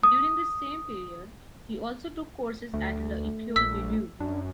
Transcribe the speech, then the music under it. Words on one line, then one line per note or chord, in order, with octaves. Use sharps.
During this same period, he also took courses at l’École du Louvre.
D#6
D2 A3
A#1 E6 B6
F#2 D4